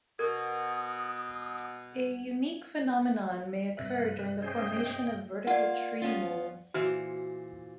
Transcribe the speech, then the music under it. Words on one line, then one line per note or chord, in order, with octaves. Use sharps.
A unique phenomenon may occur during the formation of vertical tree molds.
B2 A#4 D#6 G#6
G2 C3 B4 E5
C#4 G#4 C5 D#5 G5
A#3 F4 D5 F#5
B3 C#4 F4
A#2 E3 F#4 B4 C5